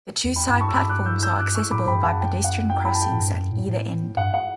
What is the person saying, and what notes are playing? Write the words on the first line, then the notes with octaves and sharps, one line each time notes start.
The two Side platforms are accessible by pedestrian crossings at either end.
E2
G5 B5
G2 G5 B5
A5 C#6
E6
G2 B5 D6
D6 F#6
E6 G6
E6 G6
D6 F#6
C#6 E6
A2 B5 D6
G2 G5 B5
F#2 F#5 A5
G5
F#5
G5
G5 B5
A5
G5
A2
G2
F#2
A2
A2
G2 F#5
F#5